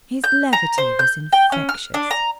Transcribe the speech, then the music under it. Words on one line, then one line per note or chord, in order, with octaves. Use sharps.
His levity was infectious.
G6
A#5
C5
G6
G5
C#4
F6
D4
A#5